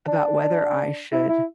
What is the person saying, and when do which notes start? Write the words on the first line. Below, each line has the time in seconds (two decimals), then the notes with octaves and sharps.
about whether I should
0.08 D4
1.12 E4
1.29 E4